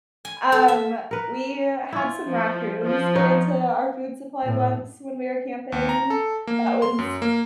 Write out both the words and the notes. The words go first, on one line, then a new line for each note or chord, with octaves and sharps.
Um, we had some raccoons get into our food supply once when we were camping. That was
G#5
A4
E5
A#4 B4
E4 F4
F3
F3
D#4 B4 C#5
A2
D#2
A#5
A4
A#3
C6
F#2
A#3